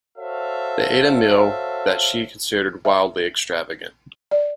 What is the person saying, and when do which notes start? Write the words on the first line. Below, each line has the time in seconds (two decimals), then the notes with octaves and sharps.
They ate a meal that she considered wildly extravagant.
0.17 F#4 A4 C5 C#5 E5 F5
2.85 E5
4.31 D5